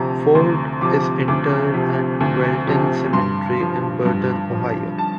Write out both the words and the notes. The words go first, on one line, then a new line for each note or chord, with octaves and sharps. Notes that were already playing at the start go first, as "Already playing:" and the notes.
Ford is interred at Welton Cemetery in Burton, Ohio.
Already playing: D2 C3 F3 A5 A#5
D2 C6
C3 F3 D6
D2 D6
C3 F3
D2
C3 F3
G2 C6
F3
G2
F3
A5